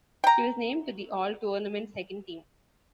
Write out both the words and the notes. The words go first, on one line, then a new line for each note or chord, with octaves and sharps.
She was named to the All-Tournament second team.
G5 A#5